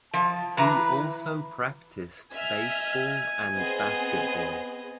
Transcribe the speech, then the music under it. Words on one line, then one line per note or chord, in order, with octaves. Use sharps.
He also practiced baseball and basketball.
F3 A5
E3 B4 A#5
D#5 E5 G#5 F6
B3 C4 G#4 D#5